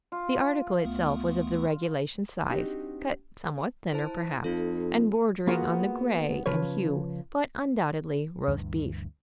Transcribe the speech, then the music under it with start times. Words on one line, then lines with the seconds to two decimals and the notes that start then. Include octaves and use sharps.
The article itself was of the regulation size, cut somewhat thinner, perhaps, and bordering on the gray in hue, but undoubtedly roast beef.
0.12 F4
0.85 D2 A3 B3
2.49 C4 D4 D#4 F#4 G4
3.93 E4 C5 A5
4.44 F2 D#4 F4 A4
5.47 A#3 B3 F4 F#4 G#4 A#4
6.46 C#3 F3 B4 C#5
8.47 D2 G2 E3